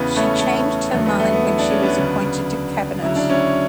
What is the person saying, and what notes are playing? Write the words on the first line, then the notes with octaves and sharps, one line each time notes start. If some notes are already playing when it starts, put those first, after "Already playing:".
She changed her mind when she was appointed to Cabinet.
Already playing: E2 C#3 E3 B3
A3 C#4
A3
E2 D3 F#3 A3
B3
A3
B3
E4
D4
C#4
B3 D4
D2 C#3 F#3
D2 C#3 F#3 E4
D4
C#4 E4